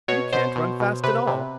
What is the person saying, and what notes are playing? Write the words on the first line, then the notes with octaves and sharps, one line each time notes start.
You can't run fast at all.
B2 C#5
B2 C5
B2
B2
C3 B4
C3